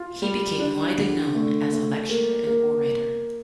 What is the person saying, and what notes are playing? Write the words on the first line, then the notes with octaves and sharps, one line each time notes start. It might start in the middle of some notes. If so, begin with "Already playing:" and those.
He became widely known as a lecturer and orator.
Already playing: F4
G3
D4
D3
A3
A3
A#3
A#3